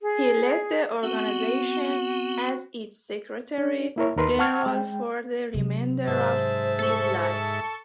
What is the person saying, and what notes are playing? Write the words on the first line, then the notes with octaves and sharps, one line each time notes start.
He led the organisation as its secretary general for the remainder of his life.
G#4
B3 C4 F#4
D4
A#3 E4 A#4 C#5
D#2 D#4 A#4 B4 C6
F#5 A5 C#6 F6 G#6
G#3 G5
C3 F#3
G#2 C5 E5 A5
A4 C#6